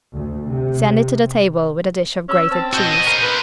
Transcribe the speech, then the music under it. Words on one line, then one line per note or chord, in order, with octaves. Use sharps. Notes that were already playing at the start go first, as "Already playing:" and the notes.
Send it to the table with a dish of grated cheese.
D2
C3
C#4 E6
C4 A5
F#4 D#5 G6
D#7
A#4 C5
B4